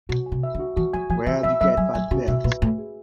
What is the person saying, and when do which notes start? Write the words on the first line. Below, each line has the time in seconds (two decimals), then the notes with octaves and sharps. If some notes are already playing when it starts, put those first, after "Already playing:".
Where'd you get that belt?
0.09 B2 F#4
0.26 G#5
0.32 C3
0.43 E5
0.55 D3
0.60 F#4
0.76 E3 F#4
0.93 F3 G#5
1.10 F3 G#5
1.26 E3 E5
1.43 F3 E5
1.61 F#3 E5
1.77 F#3 G#5
1.94 F#3 G#5
2.11 C#3 F#4
2.28 B2 E5
2.44 A#2 B4
2.62 A2 G#5
2.78 G#4